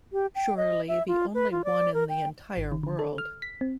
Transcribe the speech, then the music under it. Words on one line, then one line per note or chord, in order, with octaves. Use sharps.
Surely the only one in the entire world.
G4
G5
D#5
E5
F4
B4
F4
D5
A#4
G5
G#1
D#3
D3
A4
F6
B6
C4